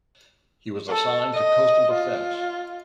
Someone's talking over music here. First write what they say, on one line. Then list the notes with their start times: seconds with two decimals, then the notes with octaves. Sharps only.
He was assigned to coastal defense.
0.89 A4
1.33 D#5
1.93 F4